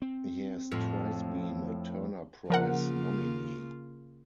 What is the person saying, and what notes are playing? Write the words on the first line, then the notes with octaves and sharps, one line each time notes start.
He has twice been a Turner Prize nominee.
C4
F2 A2 F3
C#3 F3 A#3 F4 A#4 F#5